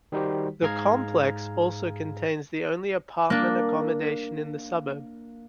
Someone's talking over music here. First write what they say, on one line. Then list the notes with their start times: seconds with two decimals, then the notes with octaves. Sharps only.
The complex also contains the only apartment accommodation in the suburb.
0.12 D#3 G3 D#4 F#4 G4 C5
0.62 G#2 G#4 F5 A#5 F6 G#6
3.30 A#3 D4